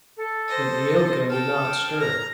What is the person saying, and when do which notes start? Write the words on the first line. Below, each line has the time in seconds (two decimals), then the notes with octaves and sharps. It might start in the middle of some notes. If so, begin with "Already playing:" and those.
But Neeoka would not stir.
0.17 A4
0.48 C5 D#5
1.29 A4 G5 F6
1.99 A#5